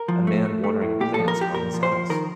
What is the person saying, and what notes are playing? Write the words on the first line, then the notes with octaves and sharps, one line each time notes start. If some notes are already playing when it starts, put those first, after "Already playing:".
A man watering plants on his house.
Already playing: A#4
F3
A3
A3
A3
A2
A#2 G4
F3 A4
A#4
F3 G4
A#2 A#4
F3
C5
F3
D#3 A#4